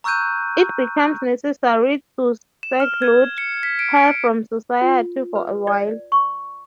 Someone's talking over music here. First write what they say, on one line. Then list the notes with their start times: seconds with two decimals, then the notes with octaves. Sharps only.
It becomes necessary to seclude her from society for a while.
0.04 A#5 C#6 E6 F#6 G6 D#7
2.63 E7
2.80 F6
3.02 G#6
3.38 C#7
3.63 B6
3.79 D7
3.97 D7
4.81 F4
5.35 B4
5.67 D5
6.12 C#6